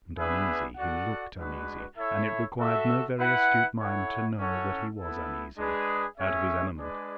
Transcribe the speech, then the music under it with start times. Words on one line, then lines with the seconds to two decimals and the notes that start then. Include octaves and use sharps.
He seemed uneasy--he looked uneasy, and it required no very astute mind to know that he was uneasy--out of his element.
0.17 B3 D4 G#4 B4 E5
0.77 F#4 A4 D5 F#5
1.38 G#3 D4 F#4 B4
1.97 E4 A4 C#5 E5
2.58 F#4 A4 E5
3.17 E4 B4 F#5
3.78 E4 A4 C#5 F#5
4.38 C#4 E4 A4 C#5 F#5
4.97 B3 E4 A4
5.57 G#3 D4 G#4 B4
6.18 A3 C#4 G#4 C#5 E5
6.78 G#3 D4 G#4 B4 D5